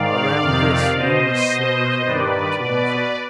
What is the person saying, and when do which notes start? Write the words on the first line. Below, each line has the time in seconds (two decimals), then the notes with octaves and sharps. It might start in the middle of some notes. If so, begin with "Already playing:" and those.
Around this numerous slaves are moving to and fro.
Already playing: G#2 D#3 D5 F5
0.41 F2 C3 D#3
0.96 B2 C5 D#5
1.51 B2
2.05 G2 D#3 B4 D5
2.59 B2 B4 D5